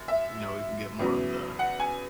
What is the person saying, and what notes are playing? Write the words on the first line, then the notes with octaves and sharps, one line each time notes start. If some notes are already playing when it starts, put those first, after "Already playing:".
you know, we can get more of the
Already playing: F#2
E5
E2 C#3 F#3
F#5
G#5